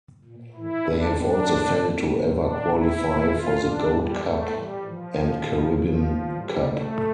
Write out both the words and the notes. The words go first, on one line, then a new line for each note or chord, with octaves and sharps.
They have also failed to ever qualify for the Gold Cup and Caribbean Cup.
A#2
A2 E3 E4
A2 E3 D4
A2 E3 D4
A2 E3
A2 E3
A#2
A#2 D4
A#2 E4
A#2
A#2 F4
A2 E3 D4
A2 E3 G3
A2 E3 A3
A2 E3 G3
A2 E3 F3
A#2
A2 E3
A#2 F3
A2 E3
A2 E3 G3
A#2 A3